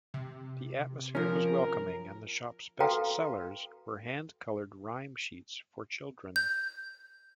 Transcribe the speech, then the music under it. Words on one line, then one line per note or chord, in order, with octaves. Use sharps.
The atmosphere was welcoming, and the shop's best-sellers were hand-coloured rhyme sheets for children.
C3
F3 C#4 A#4
F#4 A4 B4 F5 G5 A#5
G6